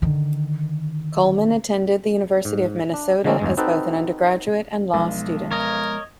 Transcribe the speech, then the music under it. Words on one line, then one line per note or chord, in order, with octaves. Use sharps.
Coleman attended the University of Minnesota as both an undergraduate and law student.
D3 D#3
G#2
D4
D3 F3 A3 A#3 C4 C#4
E2 G2 G#3
C4 D#4 F#4 A4 B4 C5
B1 F3 G#3 B3
A#4 C#5 D#5